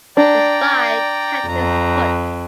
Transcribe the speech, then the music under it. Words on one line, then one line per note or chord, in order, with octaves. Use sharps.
The spy tapped his foot.
D4 D5 G5 A#5
F2 A#5